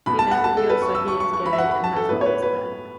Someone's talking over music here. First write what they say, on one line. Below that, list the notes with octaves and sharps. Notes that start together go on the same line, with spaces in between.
He then reveals that he is gay, and has always been.
B1 B2 B3 B5
A5
F#5
B5
A5
A4
B4
C#6
E6
C#6
C#6
C#6
B5
E5
F#5
B5
A5
A4
A2 F#3 B3 E4 B4
C#5
B4
B4